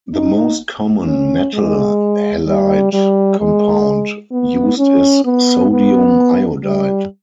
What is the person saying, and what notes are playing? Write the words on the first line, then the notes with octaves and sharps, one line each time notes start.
The most common metal halide compound used is sodium iodide.
D#4
C#4
G#3
G3
G3
G#3
B3
C#4
B3
B3
G3